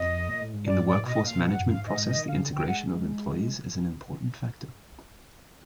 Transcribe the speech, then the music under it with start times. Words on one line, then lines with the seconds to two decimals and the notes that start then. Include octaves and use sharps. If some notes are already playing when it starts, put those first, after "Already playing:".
In the workforce management process, the integration of employees is an important factor.
Already playing: F2 D#5
0.29 A#2
0.41 A2
0.53 G#2
0.65 G2 D5
0.79 G#2
0.85 D5
0.92 A2
1.05 B2 D#5
1.12 A#2
1.20 A2
1.25 A#2 F5
1.37 B2
1.46 A#2 F#5
1.59 F#2
1.66 F5
1.73 G#2
1.86 G#2 D#5
2.06 D#5
2.16 D#3
2.26 D3 F5
2.40 C#3
2.46 D3
2.54 G5
2.66 G#3 F#5